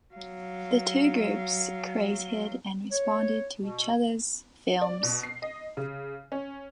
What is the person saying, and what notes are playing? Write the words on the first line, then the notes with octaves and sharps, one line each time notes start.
The two groups created and responded to each other's films.
F#3 F5
C#5
B2
D5
B2
C7
D#5
C#3
C#4